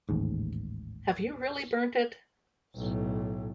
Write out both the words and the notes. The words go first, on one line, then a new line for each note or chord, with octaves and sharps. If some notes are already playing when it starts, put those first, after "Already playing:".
Have you really burnt it?
A1 D#2 G#2
B1 A2